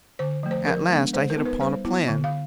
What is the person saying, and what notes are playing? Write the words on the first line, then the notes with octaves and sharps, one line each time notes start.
At last I hit upon a plan.
D3 C5
F3 A3
C5
F3 A#4
G#3 B3 D4
G#3 C5
A#4
B3 D#4
B4
G3 C5
B3 E4
D3
F5